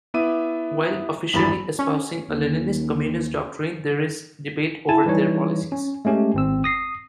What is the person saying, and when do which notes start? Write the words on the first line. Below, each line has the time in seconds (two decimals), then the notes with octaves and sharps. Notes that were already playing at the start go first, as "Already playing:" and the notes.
While officially espousing a Leninist communist doctrine, there is debate over their policies.
0.14 B3 E4 E5 D6 D#7
1.33 G#1 E2 G2 E3 B5 A6
1.79 C#4
2.29 D#2
4.89 E4 G#5 A5
5.06 E3 G3 D#4 C#5
5.72 C#4
6.05 G#3 A3 C#4 G4
6.34 G#1 C4 E6
6.64 D#6 A#6 C7